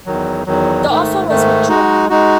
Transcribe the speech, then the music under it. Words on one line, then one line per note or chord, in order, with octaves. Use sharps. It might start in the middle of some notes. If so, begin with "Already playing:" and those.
The offer was withdrawn.
E2 D#3 F#3
E2 D#3 F#3
G#2 D#3 A3
G#2 D#3 A3
G#3 D#4 F#4
G#3 D#4 F#4